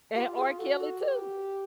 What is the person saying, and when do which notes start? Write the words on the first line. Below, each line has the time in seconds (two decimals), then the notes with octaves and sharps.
And R. Kelly too.
0.15 F4 G4
0.36 G#4
0.59 F#4 A4
0.80 A4
1.02 G4 A#4
1.13 B4